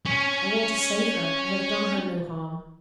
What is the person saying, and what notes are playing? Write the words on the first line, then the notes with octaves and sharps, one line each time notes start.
I want to save her; I have done her no harm.
C#4 C#5